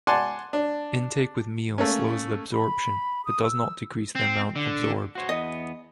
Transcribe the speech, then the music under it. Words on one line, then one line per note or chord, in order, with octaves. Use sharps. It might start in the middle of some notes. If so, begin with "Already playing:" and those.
Intake with meals slows the absorption, but does not decrease the amount absorbed.
D5 F#5 G#5 A5 C6
D4
A3 A#3 C#4
B5
D#6
E6
C4
D3
F#4 C5 C#5
E2 B3 D#5